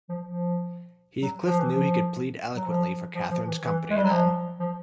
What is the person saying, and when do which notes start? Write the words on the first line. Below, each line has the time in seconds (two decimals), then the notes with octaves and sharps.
Heathcliff knew he could plead eloquently for Catherine’s company, then.
0.09 F3
0.25 F3
1.22 F#3
1.46 F3
1.59 E3
1.71 F3
2.55 F#3
2.67 F3
3.15 F3
3.31 F3
3.47 E3
3.63 E3
3.90 G#3
3.97 G3
4.04 F#3
4.11 F3
4.60 F3